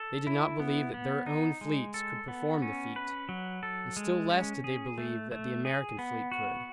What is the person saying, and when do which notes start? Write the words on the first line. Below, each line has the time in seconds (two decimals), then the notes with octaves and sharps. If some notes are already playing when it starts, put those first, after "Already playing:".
They did not believe that their own fleets could perform the feat, and still less did they believe that the American fleet could.
Already playing: A4
0.27 E4
0.60 B3
0.94 B3
1.27 D#4
1.61 G#3
1.94 A4
2.28 B3
2.62 C#4
2.96 B4
3.29 F#3
3.63 A4
3.97 G#3
4.30 C#4
4.64 G#4
4.98 A3
5.32 A3
5.65 G#4
5.99 B3
6.32 F#4